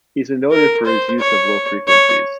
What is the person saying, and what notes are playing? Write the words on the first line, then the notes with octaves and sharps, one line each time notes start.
He's been noted for his use of low frequencies.
A#4
C5
C#5
C#5